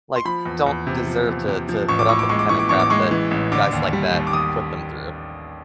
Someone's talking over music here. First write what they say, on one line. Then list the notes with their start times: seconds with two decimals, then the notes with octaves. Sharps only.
like, don't deserve to to put up with the kinda crap that guys like that put them through.
0.16 C6
0.25 F3 B5
0.46 E2
0.66 E2
0.87 C3
1.07 F3
1.28 E2
1.48 C3
1.69 F3
1.89 A1 C#6
1.99 D6
2.09 A2 C#6
2.19 D6
2.29 G#3 C#6
2.39 D6
2.49 E3 C#6
2.59 D6
2.69 A1 C#6
2.79 D6
2.90 G#3 C#6
3.11 E3
3.31 A1
3.52 D3 D6
3.72 D#2
3.93 G3
4.13 D#2
4.27 D6
4.33 D#2 D#6